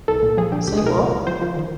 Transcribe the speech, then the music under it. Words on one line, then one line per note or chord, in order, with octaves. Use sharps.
Say what?
C2 A4
A#2
F3 G#4
D3 G4
C#2 G4
G#4
B2 A#4
C#2
C#2
F3 C5
F3
D#3